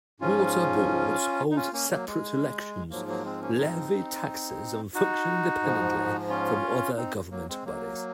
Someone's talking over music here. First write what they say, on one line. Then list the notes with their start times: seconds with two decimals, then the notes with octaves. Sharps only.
Water boards hold separate elections, levy taxes, and function independently from other government bodies.
0.20 G#2 F3 C#4 F4
1.51 D#4
1.56 C#4 F4
1.72 A#3 C#4
1.90 F#3 A#3
2.07 G#3
2.91 G#2 F3 F#3 A#3
3.08 F#3 A#3
3.24 G#3 C4
3.41 A#3 C#4
3.58 C4 D#4
4.94 D#4 F#4
5.62 G#2 F3
6.29 C#4 F4
6.97 C4 D#4
7.31 F#3 A#3
7.49 G#3 C4
7.65 F#3 A#3